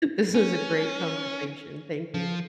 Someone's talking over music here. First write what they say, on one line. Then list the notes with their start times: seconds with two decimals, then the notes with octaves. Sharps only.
this is a great conversation. Thank you.
0.34 C#4
2.14 F3